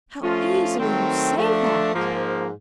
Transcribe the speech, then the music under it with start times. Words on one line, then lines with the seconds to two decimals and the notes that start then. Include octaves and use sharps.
"How easily you say that!"
0.21 F3 A3 C#4 F4
0.79 D#3 F#3 A3 C4
1.36 F3 A3 D4
1.94 G#2 F3 A#3